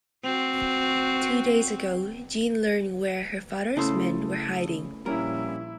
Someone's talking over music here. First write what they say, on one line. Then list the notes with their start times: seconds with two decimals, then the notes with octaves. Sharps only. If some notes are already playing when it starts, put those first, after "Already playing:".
Two days ago Jeanne learned where her father's men were hiding.
0.24 C4 F#4
3.77 C#3 A3 C#4 E4 C5 A5 D#6 E6
5.06 A#1 G3 A#3 C#4 E4 A#4